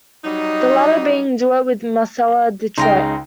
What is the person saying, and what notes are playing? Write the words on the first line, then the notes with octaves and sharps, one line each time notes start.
The latter being a duet with Marcella Detroit.
F#3 G3 D#4
C#2 C#3 D#4 G5 A#5 C6